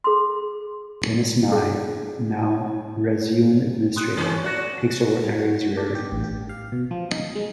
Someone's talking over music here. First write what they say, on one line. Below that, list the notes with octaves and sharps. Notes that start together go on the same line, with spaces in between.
Denys Nye, now Reseune Administrator, takes over Ari's rearing.
G#4 C6
G#4
C6 D#6 F#6
E3 A3 C#4
F#4 D5 F#6 A#6
G3
F#4
B6
D4
G4
A1
G4
F5
B2
F3
D#4
G#3